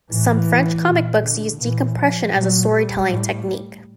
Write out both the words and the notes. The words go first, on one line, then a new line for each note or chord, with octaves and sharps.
Some French comicbooks use decompression as a storytelling technique.
A2 E3
A#2
D3
A#2 E3
F3
A#2 F#3
G3
A2